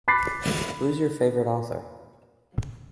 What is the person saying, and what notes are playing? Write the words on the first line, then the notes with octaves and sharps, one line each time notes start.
Who's your favourite author?
B5 D6 F#6 A6 B6 C7